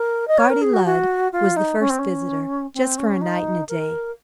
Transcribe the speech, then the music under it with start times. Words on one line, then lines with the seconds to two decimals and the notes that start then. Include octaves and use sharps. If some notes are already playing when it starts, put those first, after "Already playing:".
"Guardy Lud" was the first visitor, just for a night and a day.
Already playing: A#4
0.27 D#5
0.38 C#5
0.50 A#4
0.61 G#4
0.73 F#4
0.85 F#4
1.32 F4
1.56 D#4
1.79 C#4
1.90 C4
1.99 C#4
2.74 C4
2.98 C#4
3.21 D#4
3.68 A#4